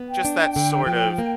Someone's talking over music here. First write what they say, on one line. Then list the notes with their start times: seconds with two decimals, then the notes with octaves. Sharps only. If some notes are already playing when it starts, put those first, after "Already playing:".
just that sort of
Already playing: B3
0.08 G5
0.25 D4
0.56 D3
0.87 F3
1.18 A#3